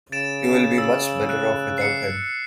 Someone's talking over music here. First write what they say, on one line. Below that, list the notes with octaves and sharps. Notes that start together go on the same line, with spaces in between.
You will be much better off without him.
C#3 A6 D7 E7
E6
F#6
C7 C#7